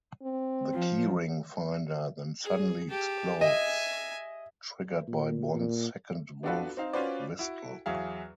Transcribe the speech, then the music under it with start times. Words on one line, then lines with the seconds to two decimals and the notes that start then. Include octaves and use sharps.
The key-ring finder then suddenly explodes, triggered by Bond's second wolf whistle.
0.22 C4
0.74 F3
2.44 G#4
2.90 G4 A5
3.41 D#5 E5 G#5
5.08 A#2
5.55 A#2
6.43 B3 D4 F4 F#4 A4 B4
6.77 C4 D#4 F5
6.93 C#4 F4 F#4 B4 C5 D5
7.39 E4 F#4
7.86 E2 F#3 G#4 E5 F5